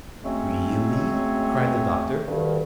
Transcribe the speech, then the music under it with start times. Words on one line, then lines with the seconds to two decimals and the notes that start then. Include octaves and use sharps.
"Really?" cried the Doctor.
0.24 F#3 G#3 A3 C4 C#4
2.28 D2 G2 D#3